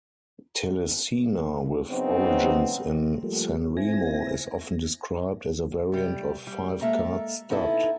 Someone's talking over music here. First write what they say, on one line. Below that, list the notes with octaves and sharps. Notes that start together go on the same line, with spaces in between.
Telesina, with origins in Sanremo, is often described as a variant of five-card stud.
C#3 E3 F#3 B3 C4 D#4
F3 G3 A3 A#3
C4 E4 G#5 A#6
C3 G3
G3
G#3 A#3 A4 E5 A#5
B3 D#4 E4 A4